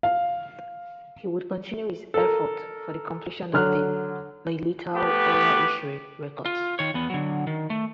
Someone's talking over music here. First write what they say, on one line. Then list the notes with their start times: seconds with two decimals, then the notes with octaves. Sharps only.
He would continue his efforts for the completion of the "Meilitao Oral History Records".
0.03 F5
2.14 A4 A#4
3.53 D3 F#3 F6 F#6
4.96 A3 B3 G4 B4
6.46 F4
6.79 D#3 C#5
6.94 E2 B3
7.10 D3 F#3
7.47 D#3
7.70 A3